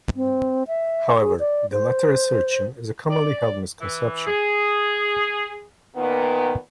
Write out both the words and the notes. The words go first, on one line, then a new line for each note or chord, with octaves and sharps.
However, the latter assertion is a commonly held misconception.
C4
E5
G#4
D5
C5
D5
E3
G#4
A#2 D#3 B3